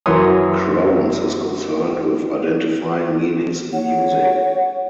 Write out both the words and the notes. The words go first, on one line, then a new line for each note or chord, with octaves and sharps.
Krones is concerned with identifying meanings in music.
F#2 E3 A#4 C#5 C6 D#6
C#5 F#5